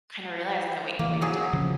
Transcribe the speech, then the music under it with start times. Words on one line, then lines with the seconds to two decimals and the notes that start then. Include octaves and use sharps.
kinda realizing that wha what you were doing
0.99 E3 A#3
1.21 F#3 G#4
1.53 C#3 F3